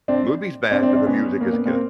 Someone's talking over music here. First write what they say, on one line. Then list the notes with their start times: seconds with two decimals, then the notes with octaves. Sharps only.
Movie's bad, but the music is good."
0.08 C4 D4
0.71 C4 D4
0.83 C4 D4
0.95 C4 D4
1.07 B3 C#4
1.41 A#3
1.53 B3
1.66 A#3 C4